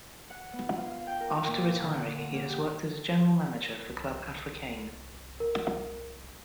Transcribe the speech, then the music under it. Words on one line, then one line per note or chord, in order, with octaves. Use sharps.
After retiring he has worked as a General Manager for Club Africain.
F#5
B3
F4
F5
G5
A#4
A#2
F4
D3
F#5
A#3
G4
C2
A#4